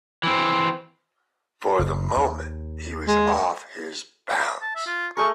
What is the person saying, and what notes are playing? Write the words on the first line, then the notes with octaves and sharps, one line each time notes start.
For the moment he was off his balance.
E3 C4
F#1
D#2
G#3
A5
E5
F4
A3 G#4 A#4 C#6